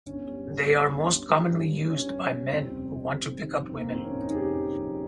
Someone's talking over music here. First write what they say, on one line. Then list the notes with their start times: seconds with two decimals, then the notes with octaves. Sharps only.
They are most commonly used by men who want to pick up women.
0.06 G1 C#4
0.27 G3
0.47 G1
0.67 G1
0.88 G1
1.08 G1
1.29 G3
1.49 G2
1.69 G2
1.90 G3 C#4
2.10 G1
2.31 G3
2.51 F2 C4
2.71 F1
2.91 F1
3.12 D#3
3.32 D#3
3.53 F2
3.69 C4
3.73 F1 A#3
3.89 C4
3.94 F2
4.04 C#4
4.15 F2
4.20 D#4
4.30 G#4
4.35 F1 G4
4.56 F2
4.76 F2